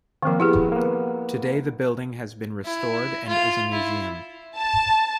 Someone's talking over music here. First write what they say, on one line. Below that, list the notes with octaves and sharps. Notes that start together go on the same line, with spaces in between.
Today the building has been restored and is a museum.
D#3 F3 A#3 C4 F5
B3 E4 G4 G#4
A#3 B3
E4
F4
E4
A5